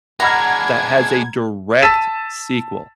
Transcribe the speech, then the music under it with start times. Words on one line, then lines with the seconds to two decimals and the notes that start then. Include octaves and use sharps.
that has a direct sequel.
0.20 G#3 D4 F#5 A#5 B5 F6 G#6
1.82 A5 E6 A6 B6 D#7 E7